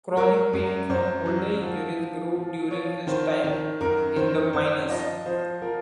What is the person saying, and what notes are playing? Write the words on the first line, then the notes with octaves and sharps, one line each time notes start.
Chronic pain from older injuries grew during his time in the minors.
F#3 A#4
F#2
F#2 C5
F#3
F3
F3
F3
F3 C#5
D#3 C5
D#3
F#2 A#4
D#3 C5
F#2 C5
F3 D#5
F3 C5
F3 A#4